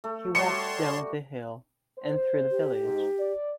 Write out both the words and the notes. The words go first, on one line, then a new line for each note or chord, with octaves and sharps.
He walked down the hill, and through the village.
A3
G3 F#4 C#5 A5 C6 C#7
C5
G4
G#2
D5